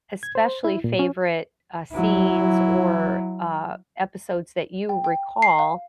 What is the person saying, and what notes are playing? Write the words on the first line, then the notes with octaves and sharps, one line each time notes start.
especially favorite, uh, scenes, or, uh, episodes that you recall
G#6
C5
E4
A#2
C#4
F#3 E4
G5
G5
C7
F5